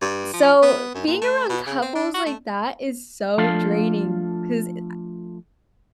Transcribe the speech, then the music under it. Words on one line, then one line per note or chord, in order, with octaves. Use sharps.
so, being around couples like that is so draining, 'cause eh,
G2
F3
B3
F#2
A#2
A3
B2
C#3
C4
D4
F#4
A3
F3 A3 D4 F4 A4 F5